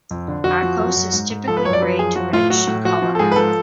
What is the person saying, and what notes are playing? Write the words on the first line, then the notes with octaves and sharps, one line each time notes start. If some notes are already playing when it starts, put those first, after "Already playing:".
Arkose is typically grey to reddish in colour.
F2
D3
F2 F#4
F3
F#2
F#2
G#2
G#2
F3 A4
B4
F#2 C#5
D5
F3 B4
F#2 G#4
F3 F#4
A2 F4
F#3 F#4
A2
F3 F#4
F3
A4
G#2 G#4
B4
F3 A4